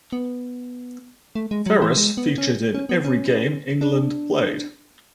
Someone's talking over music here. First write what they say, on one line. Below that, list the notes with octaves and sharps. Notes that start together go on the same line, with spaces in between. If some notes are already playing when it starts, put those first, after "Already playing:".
Ferres featured in every game England played.
B3
A3
G#3
F#3
E3
G#3
B3
C#4
C#4
B3
C#4
D4